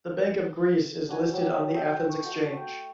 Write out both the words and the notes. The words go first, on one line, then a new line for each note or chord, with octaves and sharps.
The Bank of Greece is listed on the Athens Exchange.
D4 F#4 G#5
F#3 G4
A4 D#5 E5 G5
C#6 D6
A3 F#4
G5 C#6